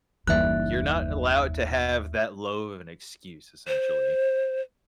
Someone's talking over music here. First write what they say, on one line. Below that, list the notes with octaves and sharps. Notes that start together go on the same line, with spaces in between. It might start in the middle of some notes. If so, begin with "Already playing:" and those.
You're not allowed to have that low of an excuse, essentially.
F#1 D#2 E3 G3 D#4 E5 F#6
C5